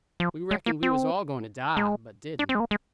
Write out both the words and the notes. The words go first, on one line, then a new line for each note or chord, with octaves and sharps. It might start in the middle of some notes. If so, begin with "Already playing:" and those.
We reckoned we was all going to die, but didn't.
F3
G#3
A#3
C4
G#3
D4
C4
G#3
A#3
G#3